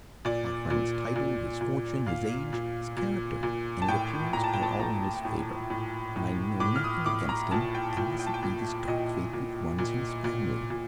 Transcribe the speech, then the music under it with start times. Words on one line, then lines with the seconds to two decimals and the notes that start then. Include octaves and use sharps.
Our friend's title, his fortune, his age, his character, and his appearance are all in his favour, and I know nothing against him unless it be this dark fate which runs in his family.
0.25 A#2 D5
0.70 A#2
1.16 A#2
1.61 A#2
2.06 A#2 F5
2.53 A#2
2.97 A#2
3.43 A#2
3.82 A5
3.88 A2 G5
4.33 A2 A#5
4.44 A5
4.53 G5
4.63 A5
4.79 A2 A#5
5.25 A2
5.70 A2
6.16 A2
6.60 A2 D6
6.76 F6
6.84 D#6
7.06 A2 D6
7.29 A#5
7.51 A#2 A5
7.75 G5
7.97 A#2 G5
8.20 G5
8.27 A5
8.34 G5
8.43 A#2
8.88 A#2 D#5
9.33 A#2
9.79 A#2
10.24 A#2
10.70 A#2